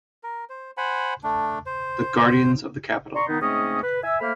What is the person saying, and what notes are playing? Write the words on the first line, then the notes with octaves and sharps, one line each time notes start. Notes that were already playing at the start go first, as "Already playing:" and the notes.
The guardians of the capital.
A#4
C5
C5 F#5 G#5 B5
A3 D4
C5
D5 A#5 C6 C#6
D#3 B3 D#4
G#2 A3 C4 C#4 D#5 D#6
B4
E5 G#5 E6
A3 A#3 C5 B5 F6